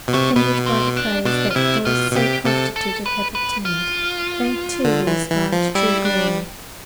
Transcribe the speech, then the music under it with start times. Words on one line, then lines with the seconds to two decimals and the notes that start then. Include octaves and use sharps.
Kindled by the praise that those so constituted have obtained, they too will aspire to true glory.
0.08 B2
0.13 C3 A3
0.36 B2 B3
0.66 C4
0.97 D4
1.26 B2 D4
1.51 F4
1.56 C3 E4
1.85 B2 F4
2.11 B2
2.15 C3 G4
2.45 C3 A4
2.76 A4
3.06 B4
3.35 B4
3.65 F4
4.85 D3
5.07 E3
5.30 E3
5.52 F3
5.75 G3 E4
6.05 D4